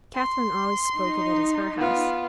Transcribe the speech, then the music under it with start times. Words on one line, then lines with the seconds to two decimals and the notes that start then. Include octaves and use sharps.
Catherine always spoke of it as her house.
0.15 C6
0.94 D#4
1.78 B3 F4